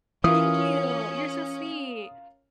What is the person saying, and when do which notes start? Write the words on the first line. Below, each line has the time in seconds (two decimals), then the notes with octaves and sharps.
Thank you. You're so sweet.
0.24 E3 C#4 F4 A#4 D#6